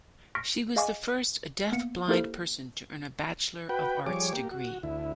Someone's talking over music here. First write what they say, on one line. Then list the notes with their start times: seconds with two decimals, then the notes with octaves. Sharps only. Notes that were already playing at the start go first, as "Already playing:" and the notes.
She was the first deaf-blind person to earn a bachelor of arts degree.
0.35 C#6 F6 A#6 B6 D7
0.76 G#4 D#5 F5 G#5 C#6 D6
1.72 A#3 B3 C#7
2.08 A#3 E4 G4 A4 A#4 C5
3.69 F#4 B4 G5
4.06 F3 G3 G#4 C#5 D6
4.33 A#3 G4
4.51 F#4
4.83 D2 E4